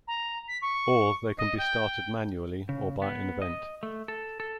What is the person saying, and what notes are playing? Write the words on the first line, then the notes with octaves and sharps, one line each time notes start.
Or, they can be started manually or by an event.
A#5
B6
C#6
D#5
G5
C#3
B3
D#5
A3
A4
A4